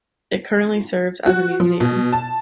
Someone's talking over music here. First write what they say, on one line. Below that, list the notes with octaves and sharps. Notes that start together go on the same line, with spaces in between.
It currently serves as a museum.
F#4
F3
B2
A5